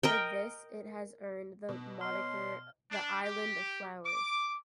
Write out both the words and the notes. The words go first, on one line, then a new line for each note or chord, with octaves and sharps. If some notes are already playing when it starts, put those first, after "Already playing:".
For this it has earned the moniker the "island of flowers".
A#4 D#5 G5
B2
C#5 D#5 C6 F6
D4
G4
D6